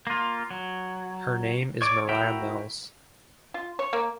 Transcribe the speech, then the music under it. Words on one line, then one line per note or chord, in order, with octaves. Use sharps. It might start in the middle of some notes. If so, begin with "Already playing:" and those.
Her name is Mariah Mills.
A#3 F4
F#3
C#5 D5 D6
E4 F#4 A#4 E5 G5
F4
C#5
A#3